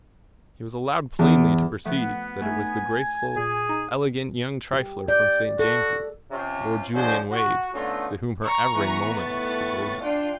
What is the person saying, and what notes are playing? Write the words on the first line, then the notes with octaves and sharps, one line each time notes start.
He was allowed plainly to perceive that it was the graceful, elegant young trifler from St. James's, Lord Julian Wade, to whom her every moment was devoted.
E2
F3 A3 B3 F#5
A3 D#4 G#5
A#2 G#4
D#4
G4
D5 G5
F#4 A4
C3 C#4 F4
F3 F#3 G#3 D4 C5
F#4
D3 A3 B3 C#4 D#4 F4
A#5 C#6
E3 B3 B4
A2 C#6 A6
D4 F4 G5 C7